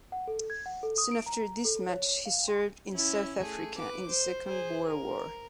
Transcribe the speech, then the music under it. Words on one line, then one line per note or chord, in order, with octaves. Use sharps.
Soon after this match he served in South Africa in the Second Boer War.
F#5
A4
G#6
F#5
A4
D#6
D7
A#5
A4
C#5
F5
C6
C#4 E4
A3 G#4
B4 D6
C5
G#4 C5
A#4